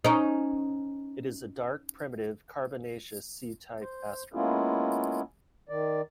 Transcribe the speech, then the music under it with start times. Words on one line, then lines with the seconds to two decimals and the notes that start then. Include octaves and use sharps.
It is a dark, primitive carbonaceous C-type asteroid.
0.04 C#4 D#4
3.81 C5
4.34 G#3 A#3 B3 C#4 E4 F4
5.69 D#3 D5